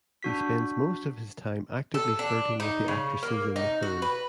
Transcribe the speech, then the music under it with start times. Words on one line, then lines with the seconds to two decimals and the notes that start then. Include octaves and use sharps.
He spends most of his time actively flirting with the actresses in the film.
0.23 D4 F#4 B6
1.94 A4
2.19 D4
2.60 D#4
2.88 C#3
3.23 A#3
3.56 D#4
3.83 F#4
4.02 B4